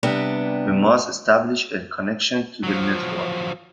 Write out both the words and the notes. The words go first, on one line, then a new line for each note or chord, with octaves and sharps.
We must establish a connection to the network.
C3 G3 B3 D4
F3 F#3